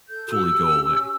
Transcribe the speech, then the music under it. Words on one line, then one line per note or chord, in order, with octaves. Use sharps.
fully go away.
A4 G6
F#4 E6
G4
C#4
G4